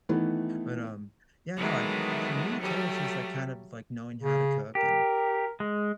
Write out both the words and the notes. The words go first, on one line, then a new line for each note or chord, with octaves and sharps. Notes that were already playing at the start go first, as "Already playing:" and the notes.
but, um, yeah, no, I for me too, it's just kind of like knowing how to cook and
D#3 E3 A3 B3
D#3 E3 F#3 G#3 A3 B3
F#3 G3 A3 G4
C#3
G4 A#4
G#3